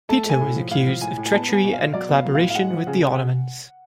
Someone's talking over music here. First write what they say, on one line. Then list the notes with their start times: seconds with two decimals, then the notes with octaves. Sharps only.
Peter was accused of treachery and collaboration with the Ottomans.
0.09 A3 A5
0.26 A3 G#5
0.41 A2
0.56 F3
0.71 A2 F5
0.87 F3
1.01 A2 G#5
1.17 A2
1.26 G#5
1.32 B3 A5
1.49 B3 G#5
1.64 B2
1.73 F5
1.79 B2
1.94 F#3 D5
2.09 B3
2.14 F5
2.25 F#3
2.35 F5
2.40 A2
2.50 F5
2.55 G#3 F#5
2.70 F3
2.87 C#3
3.01 C#3